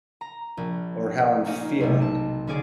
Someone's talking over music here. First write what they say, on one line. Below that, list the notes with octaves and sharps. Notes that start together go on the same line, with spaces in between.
or how I'm feeling.
A#5
A#1
A#3 C#4 D#4
B1 C3
A5
D3 C#4 G#4 D5